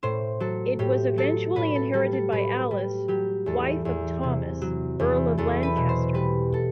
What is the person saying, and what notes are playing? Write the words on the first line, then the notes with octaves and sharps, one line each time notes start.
It was eventually inherited by Alice, wife of Thomas, Earl of Lancaster.
A2 C5
F#3 A4
A2 G4
F#3 A4
A2 B4
A4
G3 A4
A4
A2 B4
G3
F#3 G4
E2 A4
E2
C3
F#3
E2
E2 A4
B4
B2
C5
G3 B4
A4